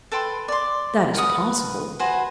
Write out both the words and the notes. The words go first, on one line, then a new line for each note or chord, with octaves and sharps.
"That is possible."
A4 B4 G5 C6
D5 C6
A#4 B4 F#5 D#6
F#4 B4 C5 G#5